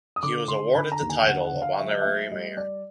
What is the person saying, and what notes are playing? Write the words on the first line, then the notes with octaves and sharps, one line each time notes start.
He was awarded the title of honorary mayor.
D#6
D3 D6
D3 C6
D3 B5
A#5
D#2
G#5
D3 F#5
F#5
D3
F5
F#3 E5
D#5
A3 E5
G3 D#5
G3 D5